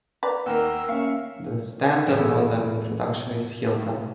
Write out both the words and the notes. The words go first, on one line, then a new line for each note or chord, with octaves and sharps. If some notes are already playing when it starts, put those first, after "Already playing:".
The standard modern introduction is Hilton.
B4 D5 A#5
D#2 D#3 A#3 A#4 F#5 E6
A#3 C#4 E5 F5 C#6
E2 A2 E4 A4 A#4